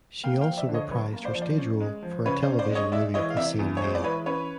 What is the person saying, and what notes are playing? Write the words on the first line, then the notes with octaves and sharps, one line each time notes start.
She also reprised her stage role for a television movie of the same name.
A#3 F5 G5
F5 G5
F3
D5 E5
D3
C#5 D#5
F#2 B4 C#5
A#3
C5 D5
F3
C5 D5
C#4
G#3
F3
C#3 B4 C#5
C5 D5
C#4
C5 D5
G#3
C#5 D#5
G#3 D5 E5
E3 C#5 D#5
F5
C3 D5 E5
E2
C#5
G#3 C5
D5
E3 B4 C#5
C#4 B4 C#5